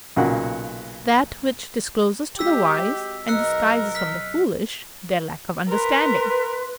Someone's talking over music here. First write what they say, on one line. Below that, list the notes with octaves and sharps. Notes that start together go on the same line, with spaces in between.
That which discloses to the wise and disguises from the foolish their lack of understanding.
B1 A#2 C#3 F#4 F#5
G#3 C4 F#4 G4 E6 B6
B1 A#4 D#5 E6 F#6 C#7
F6 B6
A#4 B4 C6